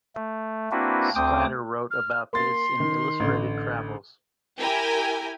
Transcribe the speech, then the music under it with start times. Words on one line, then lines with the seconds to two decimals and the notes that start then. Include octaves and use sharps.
Sclater wrote about this in "Illustrated travels".
0.15 A3
0.72 A#3 C4 D4 E4 F#4 B4
1.15 D2 C4 G5 D6 D#6
1.90 F6
2.33 A#3 C6 A6
2.80 D#3
3.20 A1 D3
4.58 E4 G4 A#4 G5 G#5